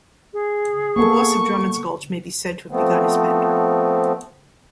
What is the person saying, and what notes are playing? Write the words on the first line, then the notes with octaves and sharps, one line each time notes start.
The boss of Drummond's Gulch may be said to have begun his bender.
G#4
A#3 B3 A4 C#6
F3 A3 B3 C4